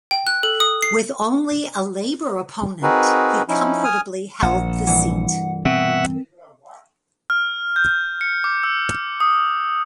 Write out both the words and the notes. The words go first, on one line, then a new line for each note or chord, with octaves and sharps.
With only a Labour opponent he comfortably held the seat.
G5
F#6
A4
D#6
C7
C4 D#4 F#4 G#4 A#4 B4
F3 C#4 D#4 E4
G#5 D#6 F6
A#1 F#5
C2 G2 E3 F#5
B2 C4 E5 F#5
F6
G6
C#7
D6
E6
D#6